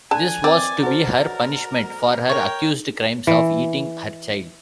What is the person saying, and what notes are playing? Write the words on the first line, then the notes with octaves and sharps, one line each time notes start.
This was to be her punishment for her accused crimes of eating her child.
D3 G#5 A5 F#6
C4 D5
F#4 A4 A#4 C5
A#4 C#5 G5
E3